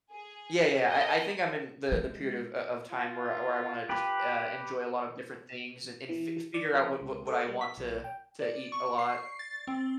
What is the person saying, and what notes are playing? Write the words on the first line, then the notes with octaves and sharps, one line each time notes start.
Yeah, yeah, I I think I'm in the the period of o of time where I where I wanna just, uh, enjoy a lot of different things and and fi figure out what what what I want to to eat a lot,
G#4
A#4 D#5
G#3
F4
G4 B4
E3
D5
F3
C#2
A4
G3
B6
B1
G5
D5
C#6
C7
A6
C4